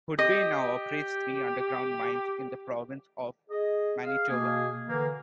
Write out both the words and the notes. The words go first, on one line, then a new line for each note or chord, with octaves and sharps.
Hudbay now operates three underground mines in the province of Manitoba.
G4 D#5
G#4 D#5
G#4 F5
B2 A#3 G#4
D3 E3 A#3